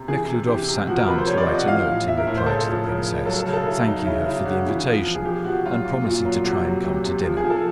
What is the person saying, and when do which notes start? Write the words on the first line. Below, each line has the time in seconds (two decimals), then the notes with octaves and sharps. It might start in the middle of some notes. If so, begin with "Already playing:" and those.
Nekhludoff sat down to write a note in reply to the princess, thanking her for the invitation, and promising to try and come to dinner.
Already playing: C3
0.08 E3 G#4
0.27 C3
0.47 E3 G4
0.68 C3
0.87 F3 F#4
0.97 A#4
1.07 C3 B4
1.18 C5
1.27 F3 C#5
1.38 D5
1.47 F3 D#5
1.58 F#5
1.67 E3 F5
1.88 A2
2.07 E3 E5
2.17 A#4
2.27 A2
2.37 C5
2.46 C#3 A4
2.67 F3
2.87 C#3 A#4
3.07 C#3
3.26 F#3 A4
3.39 A4
3.47 C#3
3.53 A4
3.66 F#3 E4
3.86 F#3 D#4
4.05 C#3 E4
4.26 C#3 E4
4.36 D4
4.45 C#3 F#4
4.66 E3
4.86 F3
5.05 F3
5.15 G#4
5.25 F3 G4
5.45 F3 F#4
5.65 F#3 F4
5.85 A#2
6.05 A#2 F4
6.25 F#3
6.44 C3 F#4
6.64 F#3
6.84 F#3 G4
7.04 C3
7.24 F3
7.37 G#4
7.44 F3
7.50 A4